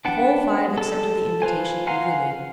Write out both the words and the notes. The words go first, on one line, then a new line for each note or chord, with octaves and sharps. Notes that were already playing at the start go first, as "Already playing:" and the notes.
The whole five accepted the invitation eagerly.
B3 D4 F#5 G5 A5
A4 A5
F4 B4 C5 G#5
F5 F#5 G#5 A#5 C6